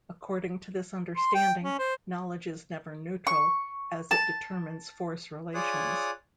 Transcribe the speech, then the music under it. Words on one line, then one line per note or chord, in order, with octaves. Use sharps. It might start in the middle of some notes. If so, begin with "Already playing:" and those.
According to this understanding, knowledge is never neutral, as it determines force relations.
C6
G5
C#4
C5
C#6
A5
F4 G#4 C#5 D5 D#6 F#6